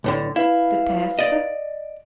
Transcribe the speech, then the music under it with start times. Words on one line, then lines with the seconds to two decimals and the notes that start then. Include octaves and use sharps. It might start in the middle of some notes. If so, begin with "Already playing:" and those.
"The test?"
0.04 B1 A2 D3
0.36 E4 B4 F5
1.19 D5 D#5